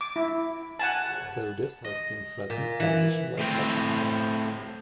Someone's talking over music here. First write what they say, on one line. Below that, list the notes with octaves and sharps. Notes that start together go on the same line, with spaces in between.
Though this has been threatened by nationwide budget cuts.
D6
E4
F#5 G#5 A5
D#5
A#2
E3
A2 C4